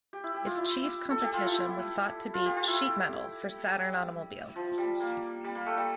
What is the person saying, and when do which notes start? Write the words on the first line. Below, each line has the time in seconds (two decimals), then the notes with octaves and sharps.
Its chief competition was thought to be "Sheet Metal" for Saturn automobiles.
0.13 G4
0.24 E4
0.35 G4
0.46 F4
0.57 E4
1.10 A4
1.22 G4
1.33 F4
1.46 E4
2.34 F4
2.46 G4
2.57 F4
2.68 E4
3.67 G3
4.56 F3
4.78 G3
5.01 A#3
5.44 G3
5.55 A#3
5.66 A3
5.77 G3